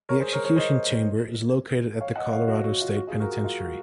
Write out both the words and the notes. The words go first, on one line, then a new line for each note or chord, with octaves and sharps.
The execution chamber is located at the Colorado State Penitentiary.
A#4 C#5
G#4 C5
A#4 C#5
A#4 C#5
C5 D#5
C#5 F5
D#5 F#5
C#5 F5
F#4
F#4
F4
F#4
F4 G#4
F#4 A#4
F#4
F4
F#4